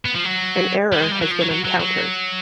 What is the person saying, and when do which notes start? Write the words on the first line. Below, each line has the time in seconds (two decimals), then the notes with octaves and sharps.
An error has been encountered.
0.05 B3
0.14 F3
0.24 F#3
0.93 G3
1.02 G#3
1.12 G3
1.22 F#3
1.31 F3
1.41 F#3
1.51 F#3
1.65 F#3
1.80 F#3